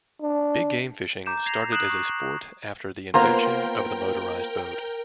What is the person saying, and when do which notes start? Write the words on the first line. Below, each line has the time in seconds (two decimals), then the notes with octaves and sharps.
Big-game fishing started as a sport after the invention of the motorized boat.
0.21 D4
1.26 A#5 D6 G6 E7
1.46 G#6 A#6 C7 F7
1.72 D#6 F#6 C7 D7 E7 F#7
1.90 C#6
3.14 A#3 B3 F4 A#4 C5 G5 A#5 C6